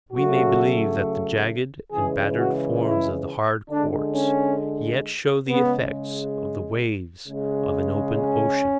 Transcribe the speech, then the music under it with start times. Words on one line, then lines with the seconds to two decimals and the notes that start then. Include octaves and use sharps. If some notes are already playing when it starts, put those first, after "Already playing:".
We may believe that the jagged and battered forms of the hard quartz yet show the effects of the waves of an open ocean.
0.13 C#3 F#3 A3 F#4
1.92 C#3 E3 G#3 G#4
2.36 F#4
2.81 E4
3.70 D3 G#3 D4
4.15 C#4
5.49 C#3 G#3 B3
7.27 C#3 G#3
8.17 C#4